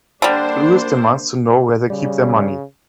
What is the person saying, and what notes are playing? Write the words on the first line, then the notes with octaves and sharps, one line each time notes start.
Louis demands to know where they keep their money.
D3 G3 A#3 D4 C5
C#3 G3